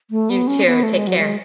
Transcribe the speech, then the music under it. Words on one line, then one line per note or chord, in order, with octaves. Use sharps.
You too. Take care.
A3
B3
C#4
B3
A3
G#3
F#3
G#3